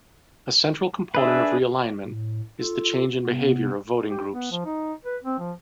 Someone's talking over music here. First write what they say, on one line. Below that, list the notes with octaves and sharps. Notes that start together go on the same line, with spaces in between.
A central component of realignment is the change in behavior of voting groups.
D4 G#4 B4 E5
A2
F4 A4
C3 B3
G4
B3
F3
D#4
B4
C4
F3